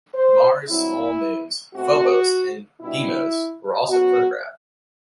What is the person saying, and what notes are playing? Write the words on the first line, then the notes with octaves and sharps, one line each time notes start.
Mars' small moons, Phobos and Deimos, were also photographed.
C5
G2 F#3 C4 E4
B2 A3 C4 F#4
B2 G3 D4 E4
F#2 F#3 B3 F#4